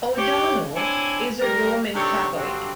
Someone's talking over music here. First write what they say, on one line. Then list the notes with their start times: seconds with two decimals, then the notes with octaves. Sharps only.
O'Donnell is a Roman Catholic.
0.17 G4 C#5
0.75 C4 D4 E4 C#5 G#5
1.40 G3 A#4
1.93 C3 D#3 C4 D4 A4 C#5
2.35 G2 D3 F#3 C4